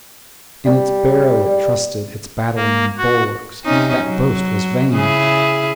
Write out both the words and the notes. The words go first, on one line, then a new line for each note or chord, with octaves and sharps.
In its barrow it trusted, its battling and bulwarks: that boast was vain!
G3
A#3
F#4
C3 C#4 D#4
F#3
C#3 E4 G#4